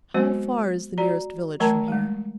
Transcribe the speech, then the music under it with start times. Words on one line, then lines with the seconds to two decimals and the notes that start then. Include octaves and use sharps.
"How far is the nearest village from here?"
0.14 F#3 G#3 B3 C4 F#4 C5
0.98 F#4 D5 A#5
1.60 E3 F#3 A3 A#4 A5 A#5
1.88 G3 G#3